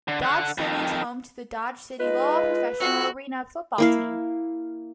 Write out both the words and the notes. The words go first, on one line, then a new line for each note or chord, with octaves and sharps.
Dodge City is home to the Dodge City Law professional arena football team.
D3
D3 F#5
F2 D#3
G#3 D#4 F4 B4 D#5
F2 F#4 E6
A#3 E4 F5